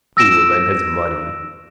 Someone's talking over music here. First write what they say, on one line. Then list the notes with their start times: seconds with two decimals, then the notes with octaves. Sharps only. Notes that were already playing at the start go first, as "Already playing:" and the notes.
Fool and his money.
0.17 E6 A#6 D7 E7